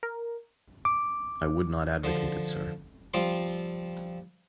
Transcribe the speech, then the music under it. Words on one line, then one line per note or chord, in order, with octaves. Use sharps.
I would not advocate it, sir.
A#4
D6
D3 F3
F3 G3 C4 F4 D6